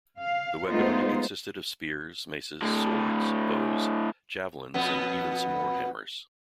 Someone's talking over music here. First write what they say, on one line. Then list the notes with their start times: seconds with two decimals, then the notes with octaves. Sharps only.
The weaponry consisted of spears, maces, swords, bows, javelins and even some war hammers.
0.19 F5
0.67 G#3 A3 B3 D#4 F4 C5
2.62 A2 D3
4.74 F2 B2 B3